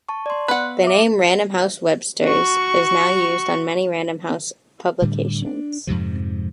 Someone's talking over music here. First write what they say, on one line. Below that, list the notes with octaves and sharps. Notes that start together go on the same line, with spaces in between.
The name "Random House Webster's" is now used on many Random House publications.
A5 C#6
D5 C6
B3 B4 F#5
E5 D6
F#4 C#6
A2 D3 G3
C#4 D4
F2 G#2 C3 F3